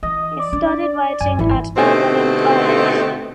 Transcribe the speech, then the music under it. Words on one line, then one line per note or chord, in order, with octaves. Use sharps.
He studied writing at Oberlin College.
E3 D#5
D5
D4
F#2 G#5
G#1 E3 E4
B2 D3 A3 C4 D#4 G4